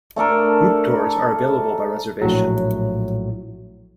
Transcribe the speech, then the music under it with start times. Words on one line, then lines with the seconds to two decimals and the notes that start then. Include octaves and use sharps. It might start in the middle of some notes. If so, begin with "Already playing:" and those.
Group tours are available by reservation.
0.16 A3 D4 A4 A#4
2.21 A#1 A2 F#3